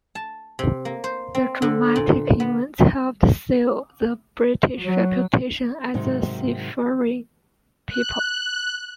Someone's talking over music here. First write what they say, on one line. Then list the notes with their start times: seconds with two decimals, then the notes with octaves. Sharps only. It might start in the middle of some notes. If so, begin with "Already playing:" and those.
The dramatic events helped seal the British reputation as a seafaring people.
0.15 A5
0.59 C3
0.85 A#3
1.04 C5
1.35 C4
1.62 D3
1.96 A#2
2.40 B3
4.81 F#3
5.94 G#2 C3 D#3 F#3
7.87 F#6